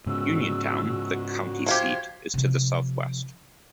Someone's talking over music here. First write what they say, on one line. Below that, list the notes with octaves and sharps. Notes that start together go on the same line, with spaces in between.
Uniontown, the county seat, is to the southwest.
G#2 C#3 F#4 E6
F3 F4 G4 G#6
C3 F3